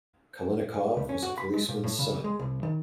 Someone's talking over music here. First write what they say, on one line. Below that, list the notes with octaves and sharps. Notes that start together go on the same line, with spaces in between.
Kalinnikov was a policeman's son.
C#2
C#4
F#4
B5
G#3
A#2
A2
C#3
G#3
C2
D#3